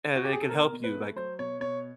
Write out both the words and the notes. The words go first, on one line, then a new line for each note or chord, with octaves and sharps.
and it can help you, like,
F#4
G4
G#4
A4
B2 A#4
B2
B4
A3
F#3 C5
B2 C#5
B2 C#5